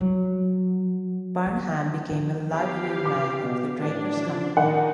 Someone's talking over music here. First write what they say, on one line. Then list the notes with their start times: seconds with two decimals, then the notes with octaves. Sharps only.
Barnham became a liveryman of the Drapers' Company.
0.01 F#3
1.46 D3
2.10 F3
2.52 B3 G4 F5
3.05 D6
3.43 B2
3.79 A1 D4
4.26 F3
4.57 D#3 D4 D#4 F#5